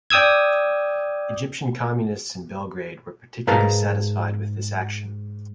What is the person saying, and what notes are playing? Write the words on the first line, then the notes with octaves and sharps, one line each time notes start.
Egyptian communists in Belgrade were particularly satisfied with this action.
D5 G5 D#6 E6 G#6
G#2 A#4 B4 F5 A5